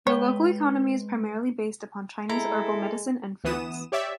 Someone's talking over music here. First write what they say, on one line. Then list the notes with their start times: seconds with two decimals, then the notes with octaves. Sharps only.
The local economy is primarily based upon Chinese herbal medicine and fruits.
0.07 G#3 B4 C#5 G5
2.29 G#3 E4 A4 A#5
3.44 D2 E3 B3 D#6 E7
3.92 G4 C#5 D5 E5